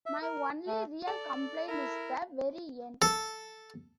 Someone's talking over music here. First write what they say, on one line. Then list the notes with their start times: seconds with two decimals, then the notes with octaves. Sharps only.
My only real complaint is the very end.
0.06 E5
0.22 A#4
0.67 A3
1.07 A4 D5 A5
1.68 E4 A#4
3.02 A4